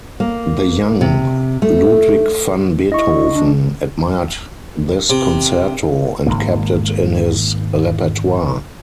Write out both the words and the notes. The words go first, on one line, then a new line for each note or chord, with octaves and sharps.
The young Ludwig van Beethoven admired this concerto and kept it in his repertoire.
A#3
C3
A3
E4 D#5 C#6
D4
C3
G#1 D#2 G#2 A#3